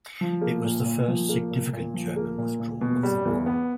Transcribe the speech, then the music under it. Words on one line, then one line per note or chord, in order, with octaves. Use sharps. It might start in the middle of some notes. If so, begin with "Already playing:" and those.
It was the first significant German withdrawal of the war.
F3
A#3
A#2
A#2
F3
A#3
A#2
A#2
F3
A#3
A#2
A#2
B2
G3
E2
B3